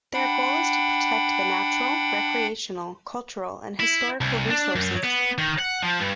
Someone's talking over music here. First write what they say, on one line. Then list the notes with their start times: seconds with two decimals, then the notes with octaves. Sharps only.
Their goal is to protect the natural, recreational, cultural, and historical resources.
0.14 D4 F#5 G5 B5
3.80 E4
4.21 C2
4.50 D4
4.75 F#2
5.04 B3
5.38 D#3
5.59 F#5
5.83 F3
6.00 G2